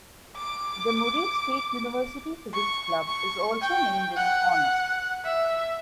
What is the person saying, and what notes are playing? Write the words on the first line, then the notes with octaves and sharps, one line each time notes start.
The Murray State University physics club is also named in his honor.
D6
C#6
C#6
G5
F#5
E5